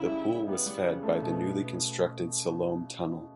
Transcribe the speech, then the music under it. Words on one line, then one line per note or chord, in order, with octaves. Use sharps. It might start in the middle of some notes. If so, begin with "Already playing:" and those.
The pool was fed by the newly constructed Siloam tunnel.
Already playing: C#3 E4
G3
C#3
G3 B3
G3
C#3
A3 B3
B2
A3